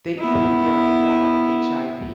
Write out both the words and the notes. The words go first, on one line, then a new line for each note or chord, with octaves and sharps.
They even get a form of HIV
B3 E4